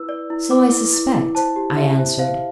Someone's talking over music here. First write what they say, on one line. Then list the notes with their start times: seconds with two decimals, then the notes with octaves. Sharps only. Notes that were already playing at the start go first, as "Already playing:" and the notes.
'So I suspect,' I answered.
Already playing: E4 B4 E6
0.09 D5
0.30 E4
0.51 B4 D6
0.72 E4
0.93 E4
1.14 E4
1.35 C5 A5
1.56 G4
1.77 G4 E5
1.98 C5
2.19 C5 F5